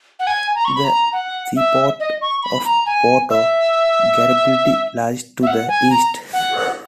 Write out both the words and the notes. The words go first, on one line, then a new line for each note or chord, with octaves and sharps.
The seaport of Porto Garibaldi lies to the east.
F#5
G#5
A#5
C#6
B5
A#5
F#5
E5
D#5
C#6
B5
A#5
G#5
E5
E5
F#5
G#5
A#5
F#5